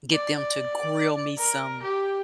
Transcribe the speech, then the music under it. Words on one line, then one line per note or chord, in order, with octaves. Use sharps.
get them to grill me some,
D5
A#4
G4